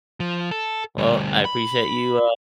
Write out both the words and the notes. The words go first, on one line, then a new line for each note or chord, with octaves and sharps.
Well, I appreciate you, uh,
F3
A4
D2 G3
B5